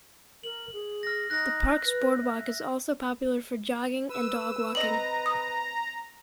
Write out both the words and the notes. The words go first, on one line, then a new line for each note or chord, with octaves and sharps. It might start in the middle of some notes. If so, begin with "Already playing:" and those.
The park's boardwalk is also popular for jogging and dog walking.
A#4 F#7
G#4
F6 A#6
D#4 F#6 A#6
B4
E5
B4 E6
C4 D#5 A#5 F#7
D#6